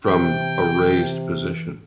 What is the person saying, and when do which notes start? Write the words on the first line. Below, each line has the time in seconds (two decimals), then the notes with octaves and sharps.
from a raised position?
0.06 C3 E3 G5